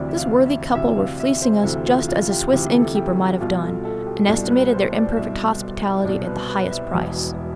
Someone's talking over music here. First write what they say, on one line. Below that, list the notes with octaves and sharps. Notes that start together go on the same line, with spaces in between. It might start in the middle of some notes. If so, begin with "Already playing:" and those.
This worthy couple were fleecing us just as a Swiss innkeeper might have done, and estimated their imperfect hospitality at the highest price.
Already playing: D2 C3 E3 D5
E5
F5
E5
D2 C3 E3 E5
F5
E5
C5
D2 C3 E3 A4
F4
F4
G4
D2 C3 E3 G4
A4
G4
F4
C2 B2 F4
A4
A4
G4
C2 B2 D5
B4
C5
D5
C2 B2 E5
C2 B2 D5
B4
B4
E5
E1 E2 B2